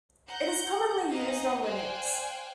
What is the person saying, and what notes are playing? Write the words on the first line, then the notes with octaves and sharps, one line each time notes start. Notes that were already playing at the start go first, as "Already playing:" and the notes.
It is commonly used on Linux.
F#5 A#5 G6
D#4 G#4 D#5 F5 F#5 A#5
C5 D5 F5 G5 G#5 F#6